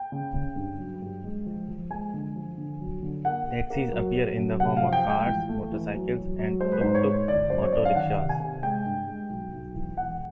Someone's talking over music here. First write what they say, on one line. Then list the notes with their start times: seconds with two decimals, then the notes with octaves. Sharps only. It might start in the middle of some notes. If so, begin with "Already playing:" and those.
Taxis appear in the form of cars, motorcycles, and "tuk-tuk" auto rickshaws.
Already playing: G5
0.12 C#3
0.34 C#3
0.56 G2
0.78 F#3
1.02 G2
1.24 G#3
1.46 F3
1.68 F3
1.90 G#3 G#5
2.13 D3
2.36 F3
2.58 D3
2.81 F#3
3.03 D3
3.25 A#3 F#5
3.48 A#3
3.70 A#3
3.93 F#3
4.14 F#3
4.37 F#2
4.59 C3 F#5
4.77 F3 F5
4.93 G5
5.05 G#3
5.10 G5
5.26 A1
5.49 A3
5.72 E3
5.94 F#3
6.16 F#3
6.39 F#3
6.61 G#3 C5
6.72 B4
6.81 G#2 C5
6.95 C#5
7.06 G#3
7.28 G1 D5
7.50 F#2 C5
7.62 C#5
7.72 F#2 D5
7.85 F5
7.95 D#3 F#5
8.17 C3
8.29 G#5
8.40 C3
8.62 G#3 G5
8.85 G2
9.07 G#3
9.30 B1
9.53 B1
9.75 E3
9.97 E1 F#5